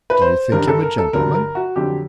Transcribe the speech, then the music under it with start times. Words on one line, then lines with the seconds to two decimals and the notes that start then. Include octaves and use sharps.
"Do you think him a gentleman?"
0.10 B4
0.22 C5
0.52 G2 D#3 G3 A#4
0.68 A4
0.83 A#4
0.98 A4
1.13 G2 D3 F#3 A#4
1.35 A#4
1.55 F#4
1.76 F2 D3 F#3 G4